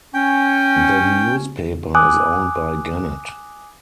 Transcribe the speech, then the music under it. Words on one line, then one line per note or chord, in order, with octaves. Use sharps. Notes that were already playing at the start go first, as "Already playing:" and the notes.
The newspaper is owned by Gannett.
C#4 G5
G#5 D6 D#6 F#6